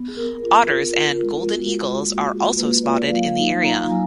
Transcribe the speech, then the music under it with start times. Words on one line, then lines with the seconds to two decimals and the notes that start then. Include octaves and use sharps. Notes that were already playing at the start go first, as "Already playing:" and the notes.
Otters and golden eagles are also spotted in the area.
Already playing: B3
0.08 G#4
0.16 B3 A#4
0.43 F4 G#4
0.70 F4
0.97 F4
1.23 G#3
1.51 F4 F#4
1.77 F4
2.03 A#3
2.23 F#4
2.31 F4 G#4
2.57 A#3 B4
2.83 F4 D5
3.10 F#3 F5
3.37 D#4
3.63 D#4 A#5
3.90 F#3 G#5